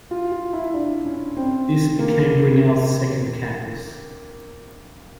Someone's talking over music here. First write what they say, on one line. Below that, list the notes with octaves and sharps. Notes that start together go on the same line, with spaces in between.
This became Brunel's second campus.
F4
F4
E4
D4
C#4
C4
A#3